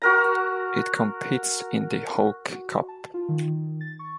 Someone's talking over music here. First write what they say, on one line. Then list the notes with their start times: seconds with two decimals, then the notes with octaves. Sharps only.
It competes in the Hawke Cup.
0.02 F#4 A#4 A#5
2.52 F#4
2.88 A5
3.14 F4
3.29 D#3
3.81 A6
3.99 C#6